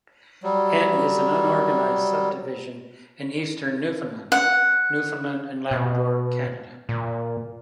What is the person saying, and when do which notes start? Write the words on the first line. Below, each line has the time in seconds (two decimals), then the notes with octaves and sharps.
N is an unorganized subdivision in eastern Newfoundland, Newfoundland and Labrador, Canada.
0.43 F#3 G3
4.32 F#5
5.71 B2
6.89 A#2